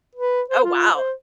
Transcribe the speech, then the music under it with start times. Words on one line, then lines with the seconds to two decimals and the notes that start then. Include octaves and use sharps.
Oh, wow.
0.15 B4
0.50 C5
0.64 F4
0.95 C5